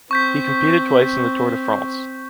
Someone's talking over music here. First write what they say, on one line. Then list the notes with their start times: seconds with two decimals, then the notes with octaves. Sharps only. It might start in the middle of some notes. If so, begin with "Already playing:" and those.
He competed twice in the Tour de France.
0.11 C4 C#6 G6 B6